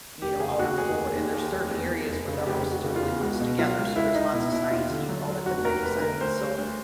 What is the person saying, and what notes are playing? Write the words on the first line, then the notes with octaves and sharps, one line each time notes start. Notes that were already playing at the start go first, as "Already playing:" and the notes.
you know, out on the road. And there's certain areas where the houses are really close together, so there's lots of signs, he called it The Many Signs, so
F1 G4
C#3 G#4
D#2 F#4
F1 G#4
D#2
D#2
D#2
F1
E2
F1
F1
C#3
F1 G4
F1
F#4
C#3
F4
E2
C#2 F#4
B2
F#3 F4
C#2
C#2 E4
C#2 D#4
B2 E4
B2 E4
D#2 F4
D3
F#3
F#3
F1 F#4
D#2 A#4
F1 B4
D3 A#4
D2 C5
G3
D2